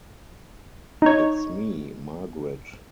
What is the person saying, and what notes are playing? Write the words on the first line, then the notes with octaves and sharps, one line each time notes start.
It's Me, Margaret.
D#4 C#5